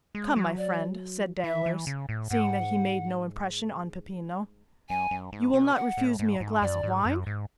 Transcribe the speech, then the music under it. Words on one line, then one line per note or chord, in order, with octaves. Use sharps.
"Come, my friend," said Danglars, seeing that he made no impression on Peppino, "you will not refuse me a glass of wine?"
G#3
F#3
D5
E3 E5
E3
C#3
A2
G#2 F#5
F#2 G#5
F#2
G#2
B2
G#5
F#5
A2
G#2
G#2
F#2 D5
G#2
F#2
G#2